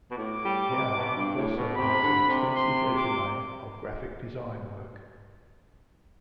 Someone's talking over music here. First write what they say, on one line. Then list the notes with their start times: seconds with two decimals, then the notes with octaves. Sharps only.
Yow also has an extensive resume of graphic design work.
0.11 B2
0.17 A2 D6
0.45 G3
0.70 C3
0.97 B2
1.16 G2
1.36 A2
1.57 B2
1.76 C3 B5
2.03 D3
2.29 C3
2.56 C6
2.95 D6